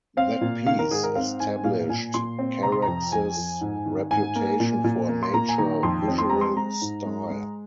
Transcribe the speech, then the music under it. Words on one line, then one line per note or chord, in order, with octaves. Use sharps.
That piece established Carax's reputation for a mature visual style.
C4 F5
A#2
D#3 F5
A#4
G#2 G#4
A#4
C4 F5
G#2 G#5
A#2 F5
A#2 G#5
A#2 C6
C4
C3 A#5
C6
F2 A#5
F2 G#5
F2
G#2
D#3
G#2 G#5
A#3
A#2
A#2
A#3
C6
A#2 A#5
G#5
D#3 A#5
F2 C6
C4
C6
G#3 A#5
C6
G#3 A#5
G#2
G#3
G#3